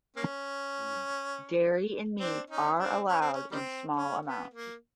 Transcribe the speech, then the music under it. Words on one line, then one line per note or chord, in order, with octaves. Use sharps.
Dairy and meat are allowed in small amounts.
A#3 C#4
C4 D4
C#4 D#4
C4 D4
C#4
C4
C#4
D#3 G3 C4
C#4
B3
A#3